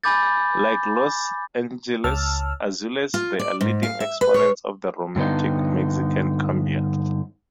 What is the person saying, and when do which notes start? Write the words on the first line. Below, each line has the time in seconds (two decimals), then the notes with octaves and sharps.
Like Los Angeles Azules, they are leading exponents of the romantic Mexican cumbia.
0.04 G#5 B5 D6 G6 A6
2.04 C#2 A5 E6 F6
3.14 F4
3.39 D5
3.61 G#2
3.83 F5
4.00 E5
4.21 B4
4.34 C#5
5.16 G2 D3 B3 D#4